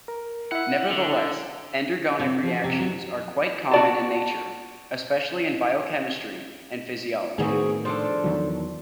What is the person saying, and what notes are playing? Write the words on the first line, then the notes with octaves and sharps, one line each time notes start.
Nevertheless, endergonic reactions are quite common in nature, especially in biochemistry and physiology.
A#4
E4 E5 F#5
D3
C3
F3
C3
F#3
F#4 D5 A5
A2 D#3 B3 C4 F#4 G#4
F3 D4 A4
E2 D#3 F#3